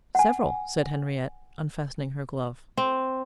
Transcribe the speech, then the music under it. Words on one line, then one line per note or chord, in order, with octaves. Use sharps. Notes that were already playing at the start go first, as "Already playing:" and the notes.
"Several," said Henriette, unfastening her glove.
F#5 G#5
C4